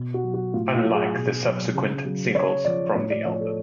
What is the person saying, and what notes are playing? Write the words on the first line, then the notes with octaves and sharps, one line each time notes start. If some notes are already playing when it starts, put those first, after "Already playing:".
Unlike the subsequent singles from the album.
Already playing: B2
F#4
F#3
F#4
A2 F4
F4
F#3
G#4
B2
F#3
C#3
F#3
C#3 C#5
F3 D5
A2 C#5
D5
F3 C#5
A4